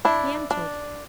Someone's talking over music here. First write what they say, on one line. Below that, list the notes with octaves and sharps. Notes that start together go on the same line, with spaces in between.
He entered.
D4 E4
D4